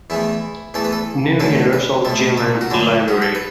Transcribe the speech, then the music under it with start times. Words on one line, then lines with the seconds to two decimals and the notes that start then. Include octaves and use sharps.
New Universal German Library.
0.10 E2 E3 A3 E4
0.74 E2 E3 A3 A4
0.84 B4
0.92 A4
1.40 F#2 D3 F#3 A3 A4
1.73 B4
2.05 B2 A3 A4
2.37 A4
2.61 F#4
2.70 F#2 D3 A3 A4
3.08 F#4
3.22 A4
3.35 B4